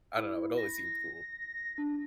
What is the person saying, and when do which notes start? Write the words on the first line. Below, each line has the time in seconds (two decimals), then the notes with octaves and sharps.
I don't know, it always seemed cool.
0.17 E4
0.57 A#6
1.78 D4